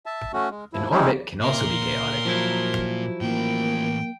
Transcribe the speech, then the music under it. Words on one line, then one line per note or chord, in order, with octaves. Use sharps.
An orbit can also be chaotic.
E5 A5
A3 C#4 F#4
G#3
D#2 F3 E4
G#3 C4 C#4 D#4 E4
A#2 A#4 C6
F3 F#3 E4
A2 E3 A#3 G5